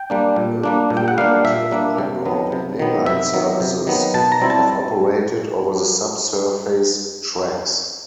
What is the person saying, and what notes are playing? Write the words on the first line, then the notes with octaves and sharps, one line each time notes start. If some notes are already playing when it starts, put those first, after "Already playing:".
A variety of underground and main line services have operated over the sub-surface tracks.
Already playing: G5
G3 A#3 D4
A#2
G3 A#3 D4
A#2
G5
F#5
G3 A#3 D4 F5
A#2 E5
G3 A#3 D4
C3
D#3 F#3 B3
C3
D#3 F#3 B3
C3 E5
D#3 F#3 B3
C3
D#3 F#3 B3
B2 A5
A#5
G3 C4 E4
A5